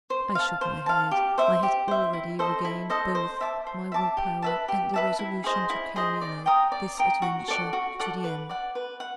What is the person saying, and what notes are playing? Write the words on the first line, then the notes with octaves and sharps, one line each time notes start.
I shook my head; I had already regained both my will-power and the resolution to carry out this adventure to the end.
C5
F5 A5
C5
F5 A5
G4
C5 E5
G4
C5 E5
E4
A4 C5 D#5
E4
A4 C5 D#5
C5
E5 A5 D6
C5
E5 A5 D6
G4
B4 E5 A5
G4
B4 E5 A5
E4
G#4 C5 D#5
E4
G#4 C5 D#5
D5
G5 A#5 D#6
D5
G5 A#5 D#6
F#4
A4 D5 F#5
F#4
A4 D5 F#5
B4
D5 F#5
B4
F#5